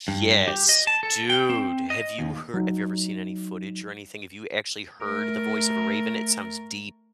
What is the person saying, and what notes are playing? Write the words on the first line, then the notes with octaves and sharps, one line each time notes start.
Yes, dude, have you hear have you ever seen any footage or anything? Have you actually heard the voice of a raven? It sounds deep,
G2
G4
D#5
A5
A4
G5
C4
D#5
D#2
F#3 D#4
A3 A#4